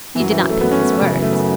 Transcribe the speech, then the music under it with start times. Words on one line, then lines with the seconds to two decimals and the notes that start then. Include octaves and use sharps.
He did not pick his words.
0.16 E3
0.20 F#2 F#3
0.31 E3
0.40 F#3
0.50 A3
0.61 F#2 B3
0.72 C#4
0.82 B3
0.91 A3
1.02 F#2 C#3
1.12 E3
1.22 A3
1.33 B3